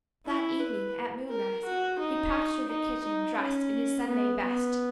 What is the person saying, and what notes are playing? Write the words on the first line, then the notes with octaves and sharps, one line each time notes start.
That evening at moonrise he passed through the kitchen dressed in his Sunday best.
E4
B4
A#4
F#4
D#4
D#4
D#4
C#4
B3
B3